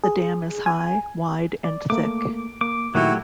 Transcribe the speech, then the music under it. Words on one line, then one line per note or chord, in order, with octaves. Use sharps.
The dam is high, wide and thick.
G#4
G#5
D5
A3 A#3 D6
A#3 D6
A#2 D#3 F#3 A3 E4 F#4 G4